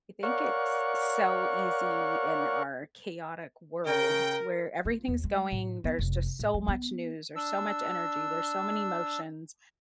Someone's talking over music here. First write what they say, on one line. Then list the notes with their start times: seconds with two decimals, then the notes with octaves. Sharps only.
I think it's so easy in our chaotic world where everything's going, there's just so much news or so much energy, there's so many emotions
0.23 A#4 C#5 D5 F5 F#5 C#6
3.85 C#3 A#4 G5
4.85 F4
5.08 D#2
5.24 G#3
5.52 A2
5.84 B3
5.99 F1
6.39 A2
6.54 F#2
6.68 B3
7.36 D4 E6